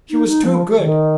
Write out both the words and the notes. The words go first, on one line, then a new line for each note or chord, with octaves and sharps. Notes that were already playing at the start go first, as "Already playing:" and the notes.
She was too good!
D#4
D#4
F3
D#3